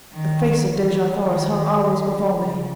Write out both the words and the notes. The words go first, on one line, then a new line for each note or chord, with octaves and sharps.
The face of Dejah Thoris hung always before me.
D#3
E3
D#3
D3
C#3